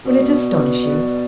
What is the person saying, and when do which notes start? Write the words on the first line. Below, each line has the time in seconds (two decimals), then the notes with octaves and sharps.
Will it astonish you?
0.05 B2 D5
0.44 B4
0.82 D5